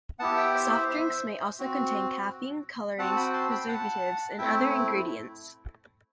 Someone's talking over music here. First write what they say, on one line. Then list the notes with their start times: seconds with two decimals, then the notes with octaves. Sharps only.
Soft drinks may also contain caffeine, colorings, preservatives and other ingredients.
0.19 B3 E4 G4 F#5 A5
0.37 E5 G5
0.55 C5 E5
0.72 C5 E5
0.89 C5 E5
1.59 C4 F#4
2.98 C4 F#4 F#5 A5
3.16 G5 B5
3.33 A5 C6
3.50 G5 B5
3.68 F#5 A5
4.38 A3 C4 E4 E5 G5